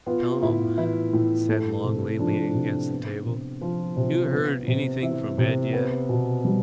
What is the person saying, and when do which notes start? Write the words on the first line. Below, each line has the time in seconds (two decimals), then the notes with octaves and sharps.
"Tom," said Longley, leaning against the table, "you heard anything from Ed yet?"
0.06 B3 F4
0.42 A2 E4
0.78 E3 E4
1.13 A2
1.49 A3
1.84 C3
2.19 F3 D4
2.55 C3
2.90 B3
3.26 C3
3.61 F3 F4
3.97 C3
4.32 B3
4.68 C3
5.02 E3 E5
5.38 C3
5.73 B3
6.09 B2
6.45 G3